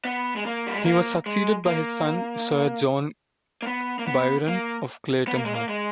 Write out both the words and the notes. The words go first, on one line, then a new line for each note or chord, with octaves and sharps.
He was succeeded by his son Sir John Byron of Clayton Hall.
B3
G#3
A#3
G3
G#3
A#3
G#3
A#3
A#3
B3
A#3
B3
A#3
B3
A#3
G#3
A#3
G#3